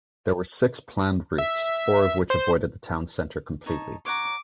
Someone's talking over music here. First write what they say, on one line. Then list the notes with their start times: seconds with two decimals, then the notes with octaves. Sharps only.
There were six planned routes, four of which avoided the town centre completely.
1.38 E5
2.30 C5
3.66 D#4 C#5 A5
4.06 C#5 F#5 A#5 D6